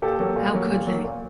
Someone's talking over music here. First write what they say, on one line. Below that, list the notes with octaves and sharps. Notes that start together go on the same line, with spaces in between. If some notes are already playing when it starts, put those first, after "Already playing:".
How could they?
A#2 G4 A4
F#3 A#3
A#2
F#3 A#3
A#2
F#3 A#3
A#2